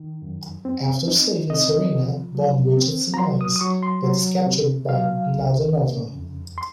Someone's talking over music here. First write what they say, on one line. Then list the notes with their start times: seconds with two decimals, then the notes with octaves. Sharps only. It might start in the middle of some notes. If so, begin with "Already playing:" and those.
After saving Serena, Bond reaches the mines, but is captured by Nadanova.
Already playing: D#3
0.22 F#2
0.65 C4
1.08 D#4
1.50 C4 D#5
1.92 F3
2.35 F#3
2.77 C4
3.14 A#5
3.18 F#3 C6
3.41 D#6
3.56 D#6
3.61 F#3 C#6
3.83 C6
4.04 F#3
4.46 C3
4.89 F#3 F5
5.31 C2
5.73 C#3
6.15 F2
6.58 C6